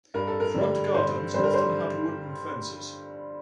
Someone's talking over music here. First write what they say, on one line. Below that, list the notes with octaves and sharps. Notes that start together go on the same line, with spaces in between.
Front gardens often had wooden fences.
G2 A#4
A4
A#4
D3 G3
G2 C5
D3 G3 C5
A#4
C5